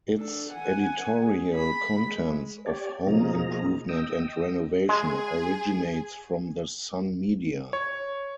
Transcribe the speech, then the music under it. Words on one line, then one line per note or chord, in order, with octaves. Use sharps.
Its editorial contents of home improvement and renovation originates from the Sun Media.
D4 A4
F#5 G#5
G#4
B5
G#3
G4 C#5 D5
B2 F3 A#3 D#4 G#4 A#5
D#5 G5 D#6 E6
G#3 G#4 G#5
C#5